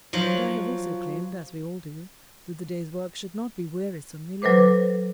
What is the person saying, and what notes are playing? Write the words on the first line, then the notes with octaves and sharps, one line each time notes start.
But I have also claimed, as we all do, that the day's work should not be wearisomely long.
F3 F#3
F#3 A4 B4 C5 D6